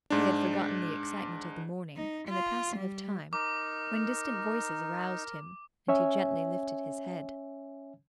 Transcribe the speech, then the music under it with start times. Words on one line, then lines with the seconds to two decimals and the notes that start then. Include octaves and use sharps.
He had forgotten the excitement of the morning and the passing of time when distant voices aroused him, and he gently lifted his head.
0.10 G#2 D4
1.97 D#4
2.28 F4
2.77 G3
3.33 D#4 A#4 D6
5.88 C#4 C#5 E5 G#5